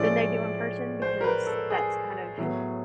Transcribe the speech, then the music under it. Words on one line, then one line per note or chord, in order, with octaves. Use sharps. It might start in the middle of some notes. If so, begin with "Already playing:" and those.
than they do in person, because that's kind of
Already playing: A2 F3 G#3 C#4 D5
C5
A#4
B4
A4
G#4
A2 F#3 B3